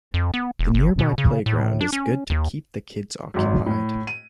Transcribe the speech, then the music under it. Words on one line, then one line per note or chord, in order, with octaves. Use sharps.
The nearby playground is good to keep the kids occupied.
F2
B3
E1
G1
B2
C#3
A2
D4
C#4
D#2
G#1 F#2
A2
D#7